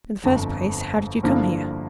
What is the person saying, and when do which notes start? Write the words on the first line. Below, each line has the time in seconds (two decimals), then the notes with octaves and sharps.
"In the first place, how did you come here?"
0.23 G1 F2 D3
1.23 G2 D3 F3 A#3 E4